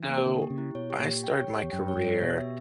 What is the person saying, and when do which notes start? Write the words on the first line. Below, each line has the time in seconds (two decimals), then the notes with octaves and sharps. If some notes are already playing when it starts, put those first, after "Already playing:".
So, I started my career
Already playing: E3
0.09 A#3
0.26 D3 A#3
0.42 G4
0.50 C#3
0.58 E4
0.75 B2 C#5
0.90 G4
0.99 A#2
1.07 G4
1.24 G5
1.40 C#5
1.56 G4
1.63 E2
1.72 F#2 G5
1.88 C#5
1.97 G2
2.05 C#5
2.21 B2 G4
2.38 E5